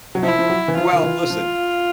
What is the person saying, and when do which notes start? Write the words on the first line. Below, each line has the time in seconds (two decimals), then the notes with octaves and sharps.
lord well, listen.
0.15 F#3
0.23 F3 E4
0.39 F3
0.50 F#3
0.68 E3
0.77 F3 F4
0.93 D#3
1.03 E3
1.30 F3